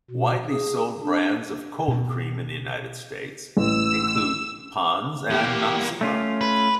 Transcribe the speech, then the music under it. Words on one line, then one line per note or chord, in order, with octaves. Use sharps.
Widely sold brands of cold cream in the United States include Pond's and Noxzema.
B2
G#4
D4
B2
A1 E6
E2 A#3 G4
A3 C#4 F4
B4